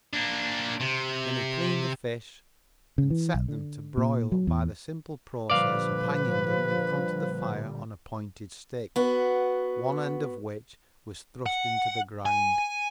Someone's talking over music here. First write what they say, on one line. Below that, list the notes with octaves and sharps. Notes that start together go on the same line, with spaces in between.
Then he cleaned the fish and set them to broil by the simple process of hanging them in front of the fire on a pointed stick, one end of which was thrust into the ground.
A#3 D4
C3
C#3
E3
B1
D3
A#2
F#3
E2
A#2 D3 F3 G3 B4 D5 F5
B3 F#4
F#5
G#5